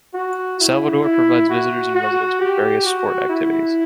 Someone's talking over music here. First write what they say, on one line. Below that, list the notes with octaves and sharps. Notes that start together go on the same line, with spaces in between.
Salvador provides visitors and residents with various sport activities.
F#4
E4
E4
F#4
F#4
G4
F#4
E4